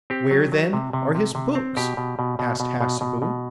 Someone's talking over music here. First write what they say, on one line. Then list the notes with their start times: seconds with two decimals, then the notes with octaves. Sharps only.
'Where, then, are his books?' asked Hassebu.
0.10 C4 G4
0.31 F#3
0.52 F#3
0.73 C3
0.93 C3
1.15 C3
1.35 C3
1.55 C4
1.77 B2 G4
1.97 B2
2.19 B2
2.39 B2
2.60 B2
2.81 B2
3.01 B2
3.22 B2